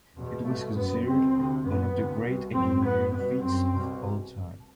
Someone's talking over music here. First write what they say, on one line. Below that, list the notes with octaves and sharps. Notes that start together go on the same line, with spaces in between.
It was considered one of the great engineering feats of all time.
E2 B2
C2 B2 A3
F#2 B3
C2 B2 C4
D2 C3
F#2 B3
D2 C3
C2 B2
F#2 C4
F#2 B3
C2 B2 B3
F#2 C4
C2 B2